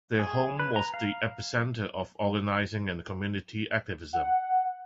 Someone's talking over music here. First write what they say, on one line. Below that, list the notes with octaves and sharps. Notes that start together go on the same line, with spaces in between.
Their home was the epicenter of organizing and community activism.
G#4
B4
A#5
F5
F#5